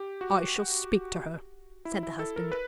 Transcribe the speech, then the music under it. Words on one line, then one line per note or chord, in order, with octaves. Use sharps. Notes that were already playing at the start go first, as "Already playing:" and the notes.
"I shall speak to her," said the husband.
Already playing: G4
F#4
E4
E4
A4
A#4
B4